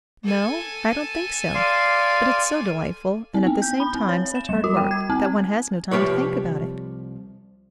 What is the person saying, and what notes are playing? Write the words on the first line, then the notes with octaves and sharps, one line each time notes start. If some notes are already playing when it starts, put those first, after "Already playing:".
"No, I don't think so; but it's so delightful, and at the same time such hard work, that one has no time to think about it."
A4 G#5
D5 F5 C6
C4
B3
G6
B5
C4
C#5
E7
G3
F#4
G5
G#6
C4
C2 F3 F4 G4 B4 C#5